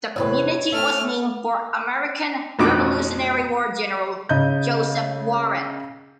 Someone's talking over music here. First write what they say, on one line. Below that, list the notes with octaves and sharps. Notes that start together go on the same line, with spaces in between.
The community was named for American Revolutionary War general Joseph Warren.
E2 C3 B4 C#5
A3 E5 F6
A1 F2 B2 D#4 F#4 D6
C#3 D#5 G6